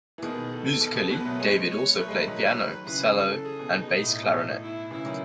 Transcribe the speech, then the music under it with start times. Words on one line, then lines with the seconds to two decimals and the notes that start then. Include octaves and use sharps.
Musically, Davie also played piano, cello and bass clarinet.
0.18 E3
0.23 B2 D#3 G#4
0.52 A4
0.81 B2
0.96 B2
1.11 B2 B4
1.20 B3
1.25 F#3 A3
1.39 G#3 B3 C#5
1.70 C#5
1.98 F#3 A3 B4
2.08 G#3
2.12 F#3 A3
2.27 D#3 F#3
2.86 C#3 E3 B4
3.16 A4
3.45 G#4
3.59 B2
3.74 B2 D#4
3.88 B2
4.03 A2
4.13 A2
4.23 B2
4.33 A2
4.62 E4
4.91 C#3 E3 E4
5.05 D#3 F#3